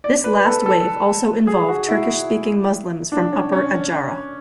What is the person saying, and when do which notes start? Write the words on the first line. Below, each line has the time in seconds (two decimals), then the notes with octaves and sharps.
This last wave also involved Turkish-speaking Muslims from Upper Adjara.
0.04 D5
0.24 B4
0.38 B4
0.45 A4
0.66 A4
1.47 G#4
1.68 F#4
1.89 E4
3.12 D4
3.32 C#4
3.52 C#4